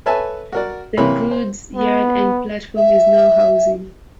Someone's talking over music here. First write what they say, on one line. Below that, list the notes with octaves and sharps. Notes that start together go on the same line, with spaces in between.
The goods yard and platform is now housing.
A4 B4 C#5 E5 G#5 A5
F#4 A#4 D5
C3 E3 A#3 B4 C#5 B5
C5
B3
E5